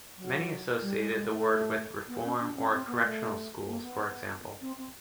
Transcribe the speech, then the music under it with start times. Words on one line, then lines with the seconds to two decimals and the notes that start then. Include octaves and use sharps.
Many associated the word with reform or correctional schools for example.
0.18 F#3
0.82 G3
0.97 G#3
1.13 G#3
1.28 A3
2.08 B3
2.24 C#4
2.40 D4
2.56 C#4
2.72 C4
2.87 B3
3.03 A3
3.66 A#3
3.82 B3
4.61 C4
4.77 C4